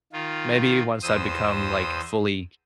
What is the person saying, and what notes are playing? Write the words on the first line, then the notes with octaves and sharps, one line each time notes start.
maybe once I become like fully
D#3 F4
E2 C5 D#6 E6